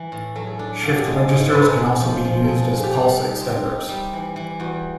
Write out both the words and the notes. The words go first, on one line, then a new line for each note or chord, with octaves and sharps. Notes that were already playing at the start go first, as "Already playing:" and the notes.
Shift registers can also be used as pulse extenders.
Already playing: E3
A2
F#3 A4
G#4
D4 A4
C#3 F#4
G4
G#3 G#4
G#2
C5
G#3 B4
A#4
A4
A2 G#4
F3
F3
A4
B3 G#4
A#2
G#4
G4
G3
D#4
C4
D#4
G3
E3
E3
E2 F#4